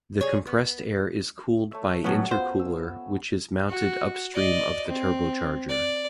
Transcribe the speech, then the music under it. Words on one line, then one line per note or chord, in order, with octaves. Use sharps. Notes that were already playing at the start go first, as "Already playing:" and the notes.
The compressed air is cooled by intercooler which is mounted upstream of the turbocharger.
G#4 C#5
B3
A3 C#5 E5
A2 F#3 B3 C#4 F#4
B3 F4 C5
E6
F#4
D5 D#5
C4
D5